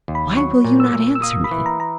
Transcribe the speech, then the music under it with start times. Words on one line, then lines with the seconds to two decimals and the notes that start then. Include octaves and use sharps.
Why will you not answer me?
0.08 D#2
0.15 B5
0.36 F#3 C#6
0.65 A#2
0.80 E6
0.94 A#2
1.15 E6
1.22 A#3 D#6
1.44 B5
1.51 E3
1.66 A#5
1.80 A#5